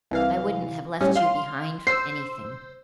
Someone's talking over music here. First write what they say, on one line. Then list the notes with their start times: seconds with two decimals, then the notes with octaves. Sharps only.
I wouldn't have left you behind for anything!
0.11 C2 E3 F5
1.01 A2 G3 C#4
1.15 F5 C6 F6
1.87 C5 E6 C7